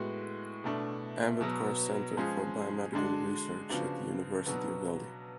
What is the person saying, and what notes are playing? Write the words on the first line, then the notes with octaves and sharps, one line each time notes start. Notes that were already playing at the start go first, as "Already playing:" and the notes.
Ambedkar Centre for Biomedical Research at the University of Delhi.
Already playing: A2 G#3 B3 F#4
B2 A3 D4
B2 F#3 B3
F3 G#3 C#4 G#4
D3 G#3 D4 F#4
C#3 F3 B3 D4 F#4
B2 F#3 B3 D4